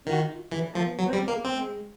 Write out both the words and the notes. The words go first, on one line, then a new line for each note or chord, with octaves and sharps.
Yeah, thank you, I enjoyed it, and
D#3
E3
F3
F#3
G3
A#3
C4